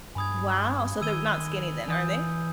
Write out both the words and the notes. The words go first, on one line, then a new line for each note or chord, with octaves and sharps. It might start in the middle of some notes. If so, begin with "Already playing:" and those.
Wow, so, they're not skinny then, are they?
G2 G#5 B5 D#6 G#6
D#3 E6 G#6 D#7 G7
E3 G#5 D#6 G6